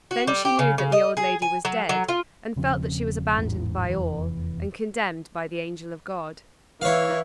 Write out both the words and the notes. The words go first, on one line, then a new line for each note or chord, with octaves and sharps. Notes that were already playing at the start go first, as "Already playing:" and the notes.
Then she knew that the old lady was dead, and felt that she was abandoned by all, and condemned by the angel of God.
F#4
G3
G4
C#3
C#3
D#5
G#4
G#5
F#3
F#3
F4
E1 C#3 F3 C4
A1 E2 G#2
F1 E2 E3
E3 E4 C#5 F5